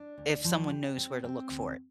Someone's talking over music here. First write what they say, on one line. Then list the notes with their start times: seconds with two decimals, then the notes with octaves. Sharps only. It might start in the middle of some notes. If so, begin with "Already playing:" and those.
if someone knows where to look for it,
Already playing: D4
0.18 D2
0.44 F3
0.71 G4
0.98 C4
1.24 C4
1.50 D2